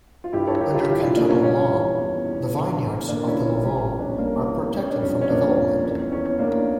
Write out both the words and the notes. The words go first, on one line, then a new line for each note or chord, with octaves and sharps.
Under cantonal law, the vineyards of the Lavaux are protected from development.
F4
G2 E4 G4
A4 C#5
G2 G4 A#4
F4 A4
F3 E4 G4
D4 F4
G2 A#3 D4
C#4
G3 C#4
E3
E2
E2
D3
E2
E2 A#3 D4
C#4 E4
F3
G3 C#4
E2
D4
C#4
G3 A#3
E2
G3 C#4
D4
F2 C#4
C#4
F2 A#3 D4
F2
A#3
E2 C#4
E2 C#4
E2 A#3 D4